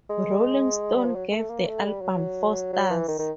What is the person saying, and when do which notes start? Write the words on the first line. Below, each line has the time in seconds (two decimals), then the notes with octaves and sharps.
"Rolling Stone" gave the album four stars.
0.10 G#3
0.97 G3
1.06 F3
1.16 F#3
1.32 A3
1.50 A#3
1.67 A3
1.86 G3
2.02 F#3
2.73 F#3
2.90 E3
3.08 D#3
3.19 D#3